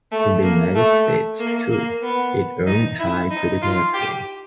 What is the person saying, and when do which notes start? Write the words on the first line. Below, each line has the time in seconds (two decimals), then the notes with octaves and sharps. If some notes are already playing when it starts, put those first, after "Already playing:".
In the United States, too, it earned high critical acclaim.
0.12 A3
0.43 A#3
0.75 A3
1.39 A#3
1.71 A#3
2.03 B3
2.67 D#4
2.99 E4
3.30 D#4
3.62 F4
3.94 G4